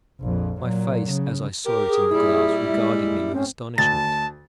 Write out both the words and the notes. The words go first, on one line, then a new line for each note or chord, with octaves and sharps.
My face, as I saw it in the glass, regarded me with astonishment.
A#1 F2
A#2 F#3
C#3
G4 A#4
G#4
A#2 G3 E4
G#3
A2 C4 C#4
D2 A5 A6